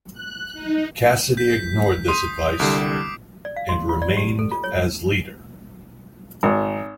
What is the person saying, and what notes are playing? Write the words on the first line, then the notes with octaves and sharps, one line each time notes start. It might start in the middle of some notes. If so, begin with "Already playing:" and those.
Cassidy ignored this advice, and remained as leader.
F#6
D#4
G6 B6
C6 D#6 D#7
C2 D3 G3 D6 C7 D7
D5
F5
C6
F4
D5
G4
A4
F4
C#5
G#1